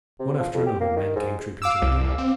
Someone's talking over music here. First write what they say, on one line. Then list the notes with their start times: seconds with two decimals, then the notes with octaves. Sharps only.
One after another, men came trooping to the door.
0.20 C3
0.40 F3
0.54 F2
0.67 G4
0.81 A#3
0.97 D#3
1.16 G#2
1.62 F5 D6 E6
1.82 C2
2.18 C4